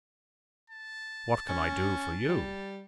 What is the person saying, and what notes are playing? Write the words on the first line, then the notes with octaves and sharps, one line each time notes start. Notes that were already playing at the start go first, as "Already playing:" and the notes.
What can I do for YOU?
A5
C#4
G3